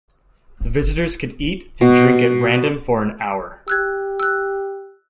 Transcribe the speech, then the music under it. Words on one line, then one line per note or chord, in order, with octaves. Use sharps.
The visitors could eat and drink at random for an hour.
B2
G4 E6 F#6 G#6
E6 F#6